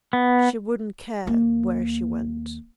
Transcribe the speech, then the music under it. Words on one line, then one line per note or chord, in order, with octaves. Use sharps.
She wouldn't care where she went.
B3
D#2 A#3